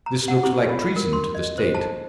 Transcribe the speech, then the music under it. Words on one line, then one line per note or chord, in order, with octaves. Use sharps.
This looks like treason to the state.
A#5
F#5
E4
F4
A#4
C6
D#5
C5
A5